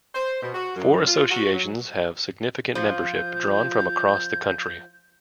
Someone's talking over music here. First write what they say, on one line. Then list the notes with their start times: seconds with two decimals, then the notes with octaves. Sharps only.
Four associations have significant membership drawn from across the country.
0.15 C5
0.42 B2
0.54 F#4
0.76 F#2
1.07 F4
1.30 F#4
1.53 F#3
2.75 F3 G6